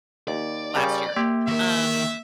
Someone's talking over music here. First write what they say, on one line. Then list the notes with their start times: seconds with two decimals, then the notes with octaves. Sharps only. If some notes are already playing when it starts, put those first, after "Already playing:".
last year. Um,
0.28 D#2 D5
0.76 C#3 G3 A#4
1.16 A#3 G4
1.48 D#3 A#4 E5